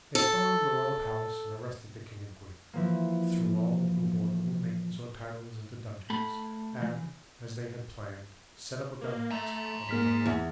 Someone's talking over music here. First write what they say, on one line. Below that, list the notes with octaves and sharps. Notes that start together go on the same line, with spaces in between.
They stormed the royal palace and arrested the king and queen, threw all who bore noble names or titles into dungeons, and, as they had planned, set up a government of their own.
A4
E3 F3 A#3
A3 B5
E3
A#3
A3 G#5 A#5
G#2 A#3 F6 B6
E2